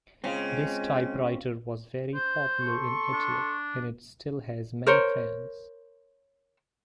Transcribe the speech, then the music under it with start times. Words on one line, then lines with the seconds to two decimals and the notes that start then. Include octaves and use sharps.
This typewriter was very popular in Italy, and it still has many fans.
0.24 C#3 G#3 C4 C#4 F4
2.14 C5
2.61 A4 C6 C#6
3.12 D4
4.87 A#4 C5 C#5